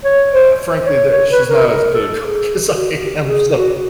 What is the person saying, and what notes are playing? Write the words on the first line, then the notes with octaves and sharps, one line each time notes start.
eh eh, frankly, ther she's not as good a cook as I am, so
C#5
C5
C#5
C#5
B4
A#4
A#4
A4
G#4
F#4
G4
G#4
F#4